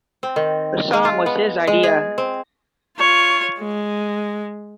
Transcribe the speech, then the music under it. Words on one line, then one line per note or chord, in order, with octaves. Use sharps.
The song was his idea.
C4
D#3
G#3
F4
B3
G#3
G#4
C4
F4 C#5
G#3